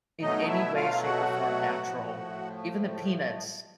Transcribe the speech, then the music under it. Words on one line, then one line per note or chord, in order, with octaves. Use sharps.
in any way, shape or form natural. Even the peanuts
B2 F#3 A3 D#4 D#5
E4 E5
F4 F5
F#4 F#5
A2 F3 A3